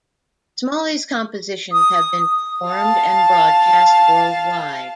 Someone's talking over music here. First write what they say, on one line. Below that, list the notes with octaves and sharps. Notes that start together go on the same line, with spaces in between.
Smalley's compositions have been performed and broadcast worldwide.
D#6
F5 A5